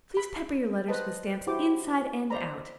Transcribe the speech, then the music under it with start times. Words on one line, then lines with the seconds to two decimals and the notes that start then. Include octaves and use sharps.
PLEASE pepper your letters with stamps, inside and out.
0.17 B5
0.88 B4 C5 D#5 A5
1.47 E4 F#4 G4 C5 G5 D6
2.30 C5 D5 D#5 A#5 B5